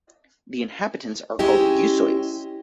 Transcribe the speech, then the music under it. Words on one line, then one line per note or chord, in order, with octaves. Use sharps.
The inhabitants are called "Yussois".
G#3 C#4 E4 G4 D#5